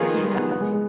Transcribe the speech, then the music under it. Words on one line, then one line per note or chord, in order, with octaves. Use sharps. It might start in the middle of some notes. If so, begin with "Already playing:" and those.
N Yeah.
Already playing: D#3 F3 B3 F4 G#4
G3
B3
B3
G#3
G#3